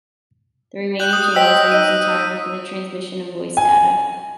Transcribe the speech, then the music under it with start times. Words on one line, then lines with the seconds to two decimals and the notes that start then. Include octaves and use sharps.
The remaining channels are used entirely for the transmission of voice data.
0.99 G4 F#6 G6 F#7
1.13 D#6
1.35 C5 D#5 G5 E6 B6
1.72 D#4 D#5 D#7
3.57 G#5